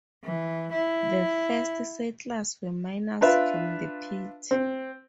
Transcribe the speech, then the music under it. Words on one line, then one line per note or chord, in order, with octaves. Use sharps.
The first settlers were miners from the pit.
E3
E4
D4 F4 B4 E5
C4